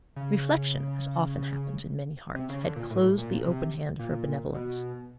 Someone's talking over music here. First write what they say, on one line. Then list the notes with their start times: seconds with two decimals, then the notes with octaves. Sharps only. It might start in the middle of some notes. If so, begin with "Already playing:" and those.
Reflection, as often happens in many hearts, had closed the open hand of her benevolence.
0.16 C#3
2.35 C3
2.49 C#3
2.63 D3
2.76 A#2
2.90 A2
3.18 A#2
3.44 C3
3.99 A#2
4.54 B2